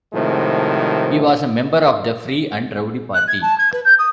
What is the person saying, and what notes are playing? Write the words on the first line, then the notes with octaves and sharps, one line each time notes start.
He was a member of the Free and Rowdy Party.
A2 C3 D#3 F3 G#3
F#6
G#6
A5
G#6
B4
G6
D#6